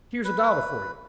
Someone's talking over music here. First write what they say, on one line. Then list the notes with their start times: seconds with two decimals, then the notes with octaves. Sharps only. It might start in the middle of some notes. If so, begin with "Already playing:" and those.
Here's a dollar for you.
0.25 B4